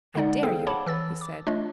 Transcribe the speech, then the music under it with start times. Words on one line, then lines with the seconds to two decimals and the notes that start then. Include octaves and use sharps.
"I dare you!" he said.
0.15 D3 G#3 D#4 D5 F#5
0.43 B3 G#4 A4 C5 F5 G5
0.67 C#5 F#5 A5 B5 D6
0.86 E3 E6 A6
1.21 D6
1.47 A3 D4 F4 C#5 D#5